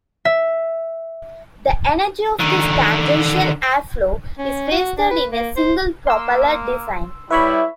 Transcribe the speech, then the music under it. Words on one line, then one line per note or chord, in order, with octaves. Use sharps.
The energy of this tangential air flow is wasted in a single-propeller design.
E5
D3 D#3
C#4
F#4
D4
B4
A#3
C5
A#3 C6 E6
G3 E4 B4 C#5 E5 B5